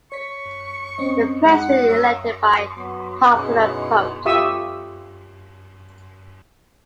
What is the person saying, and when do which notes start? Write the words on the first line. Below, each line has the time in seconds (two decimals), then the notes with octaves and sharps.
The president is elected by popular vote.
0.12 C#5 C#6 B6
0.98 C4 C#4 D#5
1.45 G#3 D#4 F#5
1.89 C#5 E5 A#5 D#6
2.77 F#3 B3
3.34 B2 C#4 D#4 E4 G#4 F#5
4.25 F4 G4 E5 C#6 D#6 E6